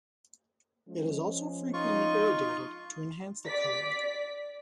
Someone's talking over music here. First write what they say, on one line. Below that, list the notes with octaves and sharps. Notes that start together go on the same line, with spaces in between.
It is also frequently irradiated to enhance the color.
F3 G#3 C#4
D#4 F4 D#5 C#6
D5 B6